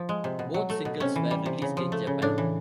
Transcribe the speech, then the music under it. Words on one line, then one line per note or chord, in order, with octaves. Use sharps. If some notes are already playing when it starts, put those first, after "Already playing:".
Both singles were released in Japan.
Already playing: F3
G#3
C3
B2
F#3
A3
B2
C3 C#4
E3
G3
C3
C#3
F3
A3
C#3
A2 D4
E3